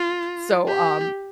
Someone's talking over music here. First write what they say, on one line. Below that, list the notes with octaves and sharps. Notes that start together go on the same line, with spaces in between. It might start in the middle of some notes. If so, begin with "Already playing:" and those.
So, um
Already playing: F4
G4